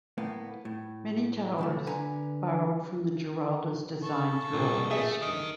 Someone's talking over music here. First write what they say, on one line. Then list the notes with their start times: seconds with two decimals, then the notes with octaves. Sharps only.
Many towers have borrowed from the Giralda's design throughout history.
0.18 A2 A#3 B3
0.65 A2
1.58 D2 B2 A3
1.87 D3 B4 G#5 A#5
4.01 A4 C#6
4.53 C2 A#2 G#4
4.91 A3 G#4 E5
5.22 D#3 D#5